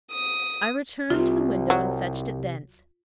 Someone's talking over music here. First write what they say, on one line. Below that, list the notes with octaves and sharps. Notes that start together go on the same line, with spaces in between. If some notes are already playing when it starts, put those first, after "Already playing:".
I returned to the window and fetched it thence.
D#6
C2 C3 F4
F#3